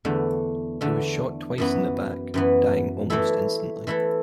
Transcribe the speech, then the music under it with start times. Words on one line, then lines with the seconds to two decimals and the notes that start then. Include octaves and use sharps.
He was shot twice in the back, dying almost instantly.
0.05 E2 D3 A3
0.81 E2 D3 A3
1.58 F#2 E3 B3
2.34 F#2 E3 B3
3.10 E3 A3 E4 A4
3.87 E3 A3 E4 A4